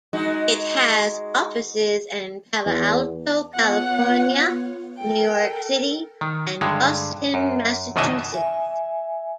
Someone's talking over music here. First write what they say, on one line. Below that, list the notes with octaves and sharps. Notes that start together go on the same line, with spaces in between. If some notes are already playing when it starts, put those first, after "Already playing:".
It has offices in Palo Alto, California; New York City; and Boston, Massachusetts.
G#3 D#4 F#4
E2
B3 F4 C#5 F#5
A4 A#4 G5
D#3
G2 D3 G#3
F#2
F#2 B2 D#3 E3 D#5 E5
E5 G#5